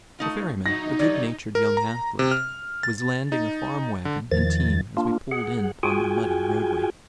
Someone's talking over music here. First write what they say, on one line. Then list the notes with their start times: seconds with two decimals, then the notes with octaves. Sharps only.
The ferryman, a good-natured young athlete, was landing a farm-wagon and team as we pulled in upon the muddy roadway.
0.19 A3 D#4 F4
0.66 D#4 E4 F#4 A#6
0.99 D3 F#3 G3 D5
1.55 A#4
1.77 A#5
2.19 C3
2.31 F6
2.83 A6
3.32 D#4
4.05 D3
4.32 E2 D#3 F3 A6
4.97 A#3 D4 F4
5.31 G#4 F#5
5.83 F4 F#4 G#4 G5 G#5